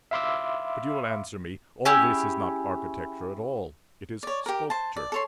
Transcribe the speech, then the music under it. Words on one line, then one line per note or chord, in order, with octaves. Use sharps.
But you will answer me, all this is not architecture at all--it is sculpture.
E5 F5 B5 C6 D6 E6
C#4 E4 G4 G#4
C#5 D5
G4 A#4
C5 A5
D5
A4 C#5 C6